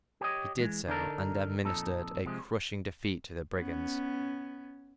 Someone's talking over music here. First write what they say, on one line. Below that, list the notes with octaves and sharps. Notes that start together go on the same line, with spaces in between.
He did so, and administered a crushing defeat to the brigands.
G4 C#5 D#5
E3 G#3
D3 D4 D#4 F#4 A4 A#4
F2 A#2 D#4 A4
C3 F3 G#3
B3 C#4